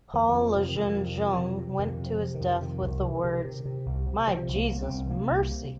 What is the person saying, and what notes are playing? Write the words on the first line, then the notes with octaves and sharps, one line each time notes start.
Paul Lejeune-Jung went to his death with the words My Jesus, mercy.
F2 D#3
F2 D#3
F3
C3
D#3
F2
C3
F2
C3
C3
F2 D#3
C3
F3
C3
D#3
F2
C3 D#3
C2
C3
C3
C3
C3
C2
C3
C3 F3
C2
A#3
C2
C4
C2
C3 A#3
C2
C3